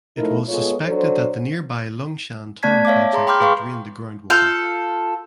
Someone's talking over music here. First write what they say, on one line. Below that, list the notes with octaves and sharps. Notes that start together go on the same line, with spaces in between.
It was suspected that the nearby Lung Shan Tunnel Project had drained the groundwater.
F3 A3 D#4 E4 A#4
G#3 B3 F4 A4 C#5
F#3 D4 A4 C5
A3 B3 D5 A5 G#6 B6
C#5 E5 F5 A5 D6
G#4 A#5 C6
G5 B5 C6 D6 F6 G6
G#4 B4 F5 C6 C#6
F4 A4 F6 G6